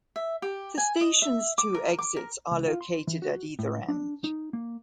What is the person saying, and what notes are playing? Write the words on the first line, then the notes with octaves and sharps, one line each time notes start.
The station's two exits are located at either end.
E5
G4
G#5
D#5
E5
D6
A#4
D6
A#4
C#2
F4
C6
E3
F#4
A2
D4
D#4
A#3